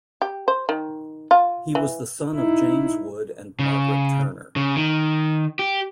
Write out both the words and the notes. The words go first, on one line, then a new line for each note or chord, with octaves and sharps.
He was the son of James Wood and Margaret Turner.
G4
C5
D#3
F4
E3
D#4 E4
C#3
C#3
D#3
G4